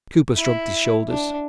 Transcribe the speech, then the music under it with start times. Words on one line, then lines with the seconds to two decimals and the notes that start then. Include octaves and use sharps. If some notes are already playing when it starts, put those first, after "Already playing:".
Cooper shrugged his shoulders.
0.36 E4
1.09 D4